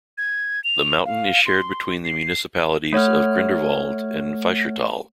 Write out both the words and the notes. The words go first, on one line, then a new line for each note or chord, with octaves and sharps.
The mountain is shared between the municipalities of Grindelwald and Fieschertal.
G#6
F7
F5
C6
C7
A3 C#5 F#5 F6